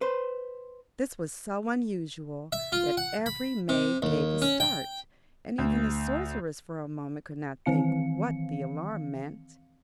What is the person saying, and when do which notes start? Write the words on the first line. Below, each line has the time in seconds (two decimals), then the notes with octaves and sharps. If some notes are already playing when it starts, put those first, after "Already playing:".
This was so unusual that every maid gave a start and even the Sorceress for a moment could not think what the alarm meant.
0.01 B4 C5
2.52 E5
2.72 F4
2.97 F#5
3.26 B5
3.69 C3
4.02 D#2
4.42 C#4
4.60 G5
5.58 D2
7.66 D#3 E3 C4 F5 C#7